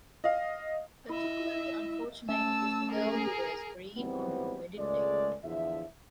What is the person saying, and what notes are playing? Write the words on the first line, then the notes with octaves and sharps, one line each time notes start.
Particularly unfortunate is the girl who wears green on her wedding day.
D#5 F5
E4 D#5 E5
A3 C#4 A5 E6
G#4 A#4
G#1 E3 F#3 G3 B3 C4
C#2 G#3 A3 D5
E2 D3 F3 E5